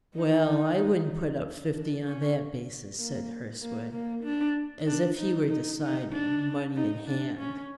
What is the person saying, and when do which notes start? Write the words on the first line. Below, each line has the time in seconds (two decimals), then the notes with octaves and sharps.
"Well, I wouldn't put up fifty on that basis," said Hurstwood, as if he were deciding, money in hand.
0.14 D#4
1.72 D4
2.04 C#4
2.98 A#3
3.62 A#3
3.92 A#3
4.24 D4
4.87 D4
5.18 D#4
5.50 D#4
5.82 D#4
6.13 D4
6.76 D#4
7.08 D4
7.39 C#4